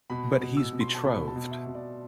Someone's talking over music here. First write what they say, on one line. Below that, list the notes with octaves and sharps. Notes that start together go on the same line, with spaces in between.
But he's betrothed.
B2 B5
B2
E6
B2
C6
A5
B2 B5
A5
B2
E5
B2
D5